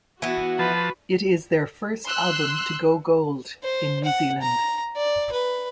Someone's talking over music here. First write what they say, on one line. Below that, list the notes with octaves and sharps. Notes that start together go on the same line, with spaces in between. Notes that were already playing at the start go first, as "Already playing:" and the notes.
It is their first album to go gold in New Zealand.
E3 B3 F#4
F3 B4 A5
C6 E6 F#6
C5
F#5
A#5
D5
B4